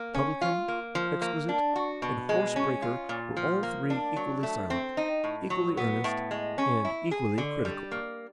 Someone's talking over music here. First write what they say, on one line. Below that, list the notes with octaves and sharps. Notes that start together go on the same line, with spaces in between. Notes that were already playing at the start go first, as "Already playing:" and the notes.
Publican, exquisite, and horse-breaker were all three equally silent, equally earnest, and equally critical.
Already playing: A#3
C#4
F4
A#3
F3
A#3
D4
F#4
B2
G#3
C#4
F4
A#2
F3
A#3
D4
F#3
A3
C4
D#4
A2
F#3
B3
A2
G#3
C#4
E4
G#4
D3
G3
A#3